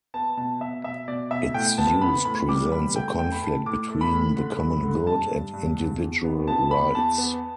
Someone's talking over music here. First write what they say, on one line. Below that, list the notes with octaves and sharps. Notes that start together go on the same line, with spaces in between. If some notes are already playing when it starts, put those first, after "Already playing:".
Its use presents a conflict between the common good and individual rights.
B3 A5
B2 A5
B2 E5
B2 E5
B2 D5
B2 E5
A2 G5
B3 A5
B3 B5
A2 B5
G3 D6
B3 B5
A3 G5
A3 G5
B5
A2 A5
A2 D6
A3
B5
A2
D3
G2
D3
G2 A5
G2
G2
E2
E2
B3
B3 A5
E2 B5
E2 A5
B3